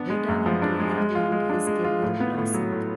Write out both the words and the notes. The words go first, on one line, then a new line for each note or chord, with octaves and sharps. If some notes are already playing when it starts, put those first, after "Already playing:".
Returning to England, his career blossomed.
Already playing: B3 D4
G#3
F#2
F3
D4
G#3
G#3
F4
G#3
D4
G#3
F4
A2
B3
A2
F#3
A2